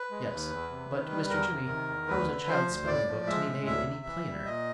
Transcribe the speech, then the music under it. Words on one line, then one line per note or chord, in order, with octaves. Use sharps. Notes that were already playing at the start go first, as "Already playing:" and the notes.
"Yes, but Mr. Jimmy, how is a child's spelling-book to be made any plainer?"
Already playing: B4
G#3
D#2
E2
C3
D#3
G3
E2 A#4
C3
D#3
E2
D2 B4
D3
F3 C5
D2
A2 D5
F3
G#3 E5
A2
D2 E5
C3
E3
G3
A#2 D#5